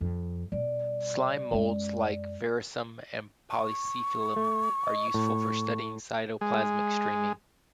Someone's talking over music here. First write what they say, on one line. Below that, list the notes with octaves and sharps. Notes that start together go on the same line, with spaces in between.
Slime molds like "Physarum polycephalum" are useful for studying cytoplasmic streaming.
F2
B2 G3 D5
F#2 G#3
C#6
A3
D#5
A2
G#3